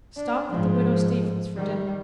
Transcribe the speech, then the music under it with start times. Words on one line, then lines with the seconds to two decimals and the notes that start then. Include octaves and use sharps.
Stop at the Widow Steavens's for dinner.
0.17 D4
0.51 G#2 F3
1.56 D#3 G3